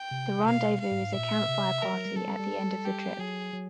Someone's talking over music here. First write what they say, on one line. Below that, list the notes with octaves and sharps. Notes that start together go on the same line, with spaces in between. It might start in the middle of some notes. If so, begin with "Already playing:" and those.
The Rendezvous is a campfire party at the end of the trip.
Already playing: G5
C3
C3
B2 F5
F5
G#2
G#2
A#2 E5
C3
F#3 A#4
F#3
G3
F#3 A4
G3
G3
G4
F#3 G#4
F#3